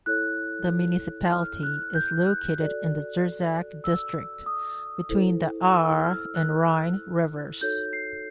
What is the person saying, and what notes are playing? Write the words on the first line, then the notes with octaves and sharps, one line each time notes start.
The municipality is located in the Zurzach district, between the Aare and Rhine rivers.
E4 A4 C#5 F#6
F6
F#6
G6
F#6
F#4 A4 D5
E6
D#6
E4 A4 C5
E6
F6
F#6
D#4 F#4 A4 C#5 G6
C7